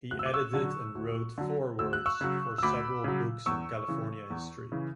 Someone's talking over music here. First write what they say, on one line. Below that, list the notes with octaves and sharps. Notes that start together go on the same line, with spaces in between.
He edited and wrote forewords for several books on California history.
D2 F#6
E6
D6
C#6 E6
D3 F#3
D2
D3 F#3
D2 E6
F#6
C#6 E6
C#3 F#3
E6
D2 B5 D6
C#3 F#3
E2 C#6 E6
C#3 E3
E2
C#3 E3